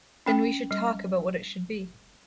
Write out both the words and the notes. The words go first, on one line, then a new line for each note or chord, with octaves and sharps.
Then we should talk about what it should be.
C#4 G5
G3